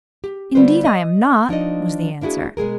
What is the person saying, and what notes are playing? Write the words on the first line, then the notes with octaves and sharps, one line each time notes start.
"Indeed I am not," was the answer.
G4
D3 G3 B3 F4 B4 C5
D#5
F3 D4 D#4 D#5
A#3 D4 E4 F#4 G#4
B2 G#3 G#4 A#4